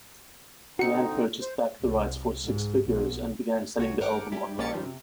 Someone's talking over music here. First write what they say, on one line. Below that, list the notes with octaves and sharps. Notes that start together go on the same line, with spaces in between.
Mann purchased back the rights for "six figures", and began selling the album online.
D3 C4 D#4 F#4 C#7
C5
C2
G#2
B1
C2 F#4 C#5
G#1 G2 A#4 F#5 G5 D6
G3 E4 G4
A#1 A#3 C#4 G4 A6 C#7
D#3 F3 G3
C3